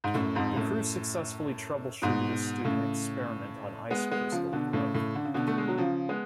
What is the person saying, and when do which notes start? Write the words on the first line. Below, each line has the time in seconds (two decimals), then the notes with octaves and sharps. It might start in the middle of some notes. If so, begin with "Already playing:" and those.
The crew successfully troubleshooted a student experiment on ice crystal growth.
0.04 G#2
0.14 F#2 A2
0.35 F2 G#2
0.56 F#2 A2
2.02 G#2 B2
2.64 A2 C#3
3.91 G#3 B3
4.11 G#3 B3
4.32 C#3 F3
4.53 B2 D3
4.73 A2 C#3
4.94 A2 C#3
5.15 D3
5.25 C#3
5.34 B2 D3
5.47 A3
5.58 G#3
5.68 F#3
5.78 C#3 F3
6.09 G#3 B3